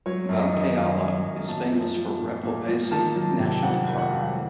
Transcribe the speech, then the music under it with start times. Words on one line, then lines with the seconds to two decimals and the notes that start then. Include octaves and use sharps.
Valkeala is famous for Repovesi National Park.
0.06 F#3 C#5
0.29 F#2
0.41 D#5
0.53 D#3
0.77 F#2 F5
1.01 F#3
1.25 F#2
1.48 A#2 A5
1.73 F3
1.96 F3
2.20 A#2
2.43 A#2
2.68 F3
2.91 D#3 A5
3.16 F#3
3.39 C3
3.62 F2 F#5
3.87 D#3
3.98 F#5
4.10 F#3 F5
4.23 F#5
4.34 A2